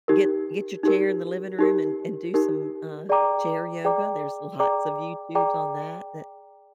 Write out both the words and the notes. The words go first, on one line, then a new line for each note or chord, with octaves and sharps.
get get your chair in the living room and and do some, uh, chair yoga. There's lots of YouTubes on that that
D#4 G4 A#4
D#4 G4 A#4
D#4 G4 A#4
D#4 G4 A#4
G#4 D5 G5 A#5 D6
G#4 D5 G5 A#5 D6
G#4 D5 G5 A#5 D6
G#4 D5 G5 A#5 D6